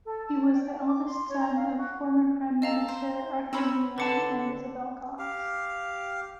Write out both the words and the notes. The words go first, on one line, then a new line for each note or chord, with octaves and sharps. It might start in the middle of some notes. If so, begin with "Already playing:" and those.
He was the eldest son of former Prime Minister Arthur Meighen and Isabel Cox.
A4
A5
D5
G5
A5
D6
C6
C#5
A#5
F5
F#4
A4 D#5 F5 A#5
C5
C4 C#4 C#5 B5 E6
D3 B4 F#5 A5 D6
G4 F5